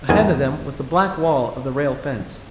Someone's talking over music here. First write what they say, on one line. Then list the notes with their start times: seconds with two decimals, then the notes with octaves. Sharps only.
Ahead of them was the black wall of the rail fence.
0.09 E2 G#2 D#3 G#5